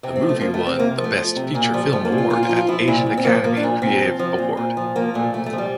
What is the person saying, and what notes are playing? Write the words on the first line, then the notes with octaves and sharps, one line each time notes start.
The movie won the Best Feature Film Award at Asian Academy Creative Award.
C3 C4
C4
F3
A3
C4
F3 A#3
A3
C3
C4
C3 A#3
F3
A3
F3
C3
A#2 A#3
F3 G3
F3 A3
A#3
A#2
F4
A#2 F4
F4
F3
F4
F3 E4
A#2 E4
A#2
C4
F3 A#3
F3 A#3
D4
A#2
A#2 C4
F3
F3
A#2
A#2
F3
F3 A#3
A#2 A3
A#2 A3
A3
F3
G3